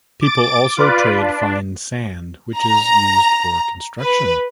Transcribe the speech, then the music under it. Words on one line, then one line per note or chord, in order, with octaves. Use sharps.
People also trade fine sand which is used for construction.
D6 A6 D7
F4 B4 D5
D4
A#5
B4